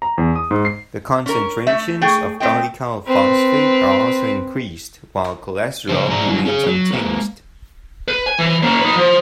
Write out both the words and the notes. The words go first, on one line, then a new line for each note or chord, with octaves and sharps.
The concentrations of dolichyl phosphate are also increased, while cholesterol remains unchanged.
A#5
E2
D#6
G#2
C7
C#4 A#4
A3 E5
A3 G#4 G5
A3 C4 D#5 G5
C4 B4
C#3 F3 D#4 C5
G#2 C5 D5 E5 A#5
D3 F#3 G3 E4
C#4 G#4 C#5
F#3
G#3 A#3 B4
B4
G#5
E3
A#3 C#4
D#4 B4
F3